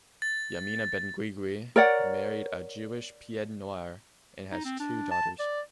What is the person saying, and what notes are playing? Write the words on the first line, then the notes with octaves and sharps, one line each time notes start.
Yamina Benguigui married a Jewish pied-noir and has two daughters.
A6
A#4 C#5 D5 F#5
D#4
C4
D4
A5
D5